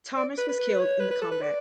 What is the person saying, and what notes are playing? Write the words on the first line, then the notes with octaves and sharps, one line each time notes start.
Thomas was killed in the combat.
D5
B4
B4
B4
C#5
B4
B4
A4
B4
D5